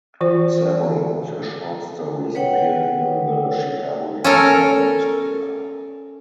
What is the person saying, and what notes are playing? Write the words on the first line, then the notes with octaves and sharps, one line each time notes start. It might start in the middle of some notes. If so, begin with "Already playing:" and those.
Several of her short stories appeared in the "Chicago Defender" newspaper.
E3 F4 C5
B4 C#5 F#5 G5
C#4 A4 A#4